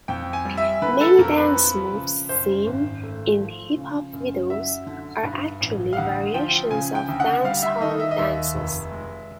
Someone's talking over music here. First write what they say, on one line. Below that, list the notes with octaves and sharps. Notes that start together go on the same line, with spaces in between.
Many dance moves seen in hip hop videos are actually variations of dancehall dances.
F2 G5
G#5
G3
E5
D3 B4
A4
F2 A#4
B4
F3
C#3
F#2 C5
G#1
A3
F3
C#3
F#2
F#3 E5
D3
G2
A1
F5
D2 F#5
F3 G5
C#3 G#5
G5
D2
F#5
G3 F5
E5
D#3 D#5
E5
D#5
D#2 E5
F1
G#3